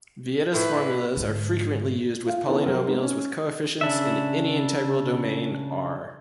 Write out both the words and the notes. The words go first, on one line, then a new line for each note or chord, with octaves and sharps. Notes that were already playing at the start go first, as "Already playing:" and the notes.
Vieta's formulas are frequently used with polynomials with coefficients in any integral domain "R".
A2 B4
G#2 D3
F4 F5
D#3 E3 B3 D4 A4
F#3 C4 A#4 C5
G#3 B3 D#4
C#4
C#3 D4 E5